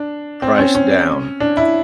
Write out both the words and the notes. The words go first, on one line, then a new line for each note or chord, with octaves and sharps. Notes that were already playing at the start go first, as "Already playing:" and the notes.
Price down.
Already playing: D4
C4
C#4
C#4
D4
E4